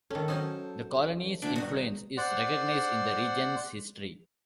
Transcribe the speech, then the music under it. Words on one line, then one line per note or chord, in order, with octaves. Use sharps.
The Colony's influence is recognized in the region's history.
D#3 C#4 A4
F#2 C#4 D#4 C5
D2 D4 E5
G2 D#3 F#4 D#6
C5 D5 F#5